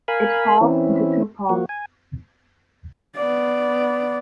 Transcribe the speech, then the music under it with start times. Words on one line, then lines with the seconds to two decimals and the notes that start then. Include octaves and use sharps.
It falls into two parts.
0.08 A#4 F5 G#5 B5
0.61 E3 C4 C#4 E4
1.49 F3 A#3 F#4
1.69 G#5
3.16 B3 D5